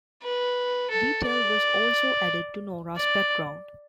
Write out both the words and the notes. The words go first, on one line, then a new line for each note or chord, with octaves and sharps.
Detail was also added to Nora's background.
B4
A4
D5
D5